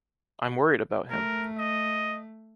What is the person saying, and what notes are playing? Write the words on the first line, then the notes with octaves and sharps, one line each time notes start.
I’m worried about him.
A3 A#4
D#5